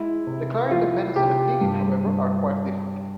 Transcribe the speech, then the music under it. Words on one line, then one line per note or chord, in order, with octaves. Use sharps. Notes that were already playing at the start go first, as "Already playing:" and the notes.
Declaring independence and attaining it however, are quite different.
Already playing: G#3 E4
C3
F3 F4
C3 G4
G2
G2